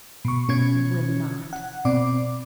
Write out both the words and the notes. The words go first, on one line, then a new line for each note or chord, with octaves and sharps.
"I will not!"
B2 C#6
B2 C#4 C#5 G#6
F#5
B2 C4 D5 D6